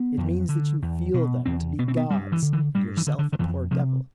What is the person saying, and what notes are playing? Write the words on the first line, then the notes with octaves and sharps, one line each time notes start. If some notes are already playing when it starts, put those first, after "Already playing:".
It means that you feel them to be gods and yourself a poor devil.
Already playing: B3
F2
D3
E2
B2
E2 C4
B2 B3
C4
B3
G2 G3
E3
D3
E3
G2 G3
E3
D3
D3
D3
F2 E3
C3 F3